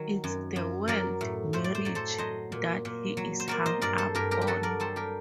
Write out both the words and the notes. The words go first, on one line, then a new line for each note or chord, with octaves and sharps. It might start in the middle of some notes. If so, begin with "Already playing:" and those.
It's the word 'marriage' that he is hung up on.
Already playing: D#3 F#3
F#2
F#2
F#3 A#4 D5
A2
A2 C5
D5
C5
F#3 D5
A4 C5
F#3 C5 D#5
A#2
A#2
F#3
C5
F#3 A#4 D5
C5 D#5
G2 A#4 D5
A4 C5
G2 G4 A#4
G4 A#4
G4
F#3 F#4 A4
A#4 D5
G3 A4 C5
G4 A#4